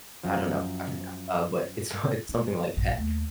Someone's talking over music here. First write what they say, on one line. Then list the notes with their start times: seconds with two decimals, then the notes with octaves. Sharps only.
I don't know, I forgot, uh, but it's it's something like that.
0.24 F#2 F3
2.29 D#4
2.77 A#1 G2
2.98 D#2 A3